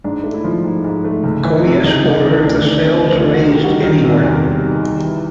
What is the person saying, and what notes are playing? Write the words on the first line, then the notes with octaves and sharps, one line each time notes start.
Commius ordered the sails raised anyway.
G#2 D4
A3
E4
F3
G#2
G#2
A3
C#2
E3
C3
C#2 D#4
C#2
D#4
E3
D2 D4
D#3
D4
C3
D2 D#4
F4
D2
F#4
D#3
G4
G3 F#4
D#3
C3
E2
G3
D#3
G3
E3